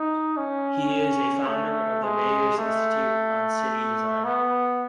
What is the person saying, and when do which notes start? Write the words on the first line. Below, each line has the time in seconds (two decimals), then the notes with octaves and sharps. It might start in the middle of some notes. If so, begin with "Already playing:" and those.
He is a founder of the Mayors' Institute on City Design.
Already playing: D#4
0.37 C#4
1.47 A3
2.03 G#3
2.58 A3
4.24 B3